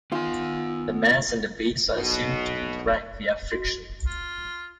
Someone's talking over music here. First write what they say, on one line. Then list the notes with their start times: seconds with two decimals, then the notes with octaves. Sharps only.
The mass and the base are assumed to interact via friction.
0.12 D#3 B3 F4 G#5
1.94 B1 B2
3.52 F#4
4.06 F4